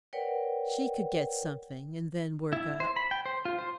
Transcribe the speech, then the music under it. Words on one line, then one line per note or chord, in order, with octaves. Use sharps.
She could get something and then work up.
A#4 B4 C#5 D5 F#5 G5
E4
C5
B5
G5
C5
F4
C5